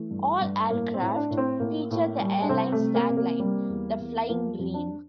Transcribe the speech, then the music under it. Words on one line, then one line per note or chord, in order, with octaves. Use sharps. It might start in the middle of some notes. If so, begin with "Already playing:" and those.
All aircraft featured the airline's tagline, The Flying Dream.
Already playing: E3 A3
G2
G2
A2 A#3
C4
A2
E4
D4
A2
C4
A2 A#3
A2
G3
D4
C3 C4
A3
C3
A#3
C3
A#3
G3
E2
E2
F3 A#3
F2
D4